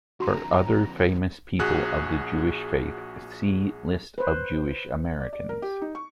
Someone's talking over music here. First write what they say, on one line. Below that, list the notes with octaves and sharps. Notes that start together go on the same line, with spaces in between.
For other famous people of the Jewish faith, see List of Jewish Americans.
F2 D3 F#4 A#5 C6
A#1 F#4 G#4 F#6
B4 C5
D5
D5
A#4
G4
D#4
C#6